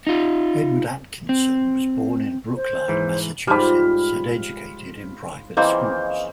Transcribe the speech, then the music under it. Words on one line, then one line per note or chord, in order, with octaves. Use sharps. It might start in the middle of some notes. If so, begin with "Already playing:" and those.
Edward Atkinson was born in Brookline, Massachusetts and educated in private schools.
D#4 F4
C4
C5
G#2 E3
G#2 F3 G3 B5 F6
C#3 E3 A#3 C4 D#5 F5 G6